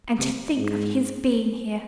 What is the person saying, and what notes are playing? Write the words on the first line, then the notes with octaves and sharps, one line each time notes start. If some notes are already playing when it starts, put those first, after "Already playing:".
And to think of his being here!
C3
G#2